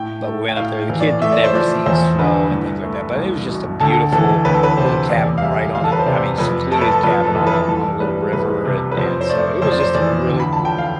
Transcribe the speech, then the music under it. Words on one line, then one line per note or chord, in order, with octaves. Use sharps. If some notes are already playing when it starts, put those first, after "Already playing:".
But we went up there, the kids had never seen snow and things like that, but it was just a beautiful little cabin right on a I mean, secluded cabin on a on a little river, and and so it was just a really,
Already playing: A2 G5
A3
G5
A2 F5
E3
D5
A3 E5
D5
C5
F3 D5
E2 C5
D3 B4
C2
A3
C2
B2
D2 A4
E3 A4
D2 B4
A4
B4
C3 C5
E2 D5
F5
G3 E5
E2 F5
A4
B4
C5
C3 D5
F2 B4
A3 A4
B4
A4
F2 B4
A4
E3
B4
C2 A4
G3 B4
C2 B4
C3
B4
F2 C5
C5
A3 D5
F2 C5
D5
C5
E3 D5
D2
B5
A5
F3
G5
F5